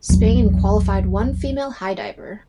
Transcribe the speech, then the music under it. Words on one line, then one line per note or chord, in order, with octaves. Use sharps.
Spain qualified one female high diver.
A#1 E2 F#3